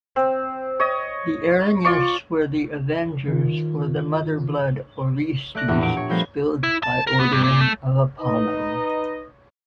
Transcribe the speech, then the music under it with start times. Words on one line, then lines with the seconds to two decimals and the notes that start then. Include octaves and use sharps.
The Erinyes were the avengers for the mother-blood Orestes spilled by ordering of Apollo.
0.16 C4
0.80 C#5 D#5
1.85 F4 D5 C#6
3.28 D#3 F4
5.55 A3 D5 F#6 A#6
5.68 E2 A2 D4 G4
5.81 A#2 D7
5.97 C#5
6.09 F3 G3 A3 B3 A#4 C5
6.63 E4
6.83 A5
7.07 A#4
7.20 B3
7.32 G2
7.44 A#2
7.61 A3
8.21 D#4 B4 D#5